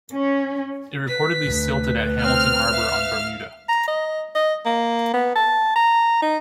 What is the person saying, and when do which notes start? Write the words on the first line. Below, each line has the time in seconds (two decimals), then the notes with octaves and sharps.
It reportedly silted at Hamilton Harbor on Bermuda.
0.12 C#4
1.08 B4 B6
1.45 D2
2.21 C4 F6
2.71 E5 F5
3.69 A#5
3.88 D#5
4.35 D#5
4.66 A#3
5.14 B3
5.35 A5
5.76 A#5
6.22 D#4